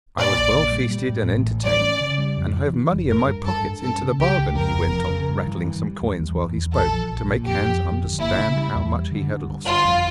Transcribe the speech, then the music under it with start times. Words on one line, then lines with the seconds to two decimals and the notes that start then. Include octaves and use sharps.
I was well feasted and entertained, and I have money in my pocket into the bargain,' he went on, rattling some coins while he spoke, to make Hans understand how much he had lost.
0.18 A#2 D5
0.36 A#1
0.55 A#2
0.72 G3
0.91 G3
1.09 A2
1.27 A1
1.45 A1
1.63 G3 D5
1.82 C#4
2.01 C#3
2.18 G3
2.37 F2
2.55 E3
2.73 E3
2.92 F1
3.10 G2 A#4
3.28 G2
3.46 G2 A4
3.64 G2
3.82 C#4 A4
4.01 C#3
4.19 C#2 G4
4.37 C#2
4.55 F2 A#4
4.74 F1
4.92 F2
5.10 C#3
5.29 G2
5.47 E3
5.65 E3
5.83 G3
6.01 E2
6.19 E2
6.38 E2
6.56 E2
6.74 A#1 A4
6.93 F3
7.11 A#1
7.30 A#2
7.47 F2 G4
7.65 F2
7.84 F2
8.02 G1
8.20 A#3 E4
8.39 C#3
8.56 G3
8.75 E2
8.94 G3
9.11 D3
9.30 G2
9.47 G2
9.66 G1 F4
9.84 F2